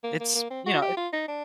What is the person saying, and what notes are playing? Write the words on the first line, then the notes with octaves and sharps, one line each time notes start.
it's, you know, it
A#3
A#3
A#3
C4
F#4
G4
F4
D#4
D4